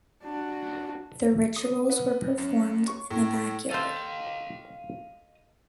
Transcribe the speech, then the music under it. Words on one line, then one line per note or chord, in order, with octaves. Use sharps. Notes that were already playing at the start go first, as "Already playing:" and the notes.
The rituals were performed in the backyard.
D4 F#4
D#6
B3
F#2
C#6
A2
A4 C5 D#5 F5